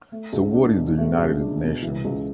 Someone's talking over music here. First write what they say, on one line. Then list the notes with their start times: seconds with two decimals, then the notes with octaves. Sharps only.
So what is the United Nations?
0.12 A3
0.33 C#2
0.54 D4
0.76 B2
0.98 A3
1.18 C#2
1.40 D4
1.61 B2
1.82 E3
2.05 C#2